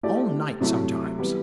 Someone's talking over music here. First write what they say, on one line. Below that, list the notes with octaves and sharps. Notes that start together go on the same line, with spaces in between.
All night sometimes....
A3 E4 G4 D5
C3 F#3 A3 E4
E3 G3 B3